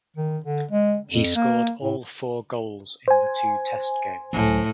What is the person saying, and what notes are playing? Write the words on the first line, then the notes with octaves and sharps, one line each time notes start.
He scored all four goals in the two test games.
D#3
D3
G#3
F2
A#3
A2
C5 G#5
C#2 A2 F#3